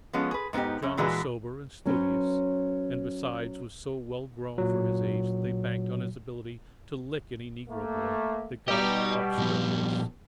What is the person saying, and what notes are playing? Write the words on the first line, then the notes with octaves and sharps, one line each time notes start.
John was sober and studious, and besides was so well grown for his age that they banked on his ability to "lick" any negro boy that got obstreperous.
F3 G#3 B3 C#4
G#4 B4
G#2 B3 D4 D#4 G4
F#2 C#4
A#2 E3 G#3 D4 F#4 B4
F#3 C#4 B4 C5
A#2 F#3
A3 A#3
B2 G3 G4 D#5 A#5
A#2 F3 B3